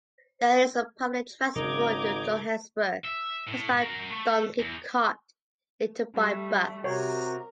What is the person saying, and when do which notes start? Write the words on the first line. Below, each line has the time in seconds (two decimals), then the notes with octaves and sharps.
The earliest public transport into Johannesburg was by donkey cart, later by bus.
1.56 G#1 C#3 F#3 D#4 A#4 A#5 D6 G#6
3.04 E5
3.47 A2
3.80 F#4 A#4
4.10 A3
4.59 E2
6.13 G3 A3
6.84 C3 F#4 A#4 C#5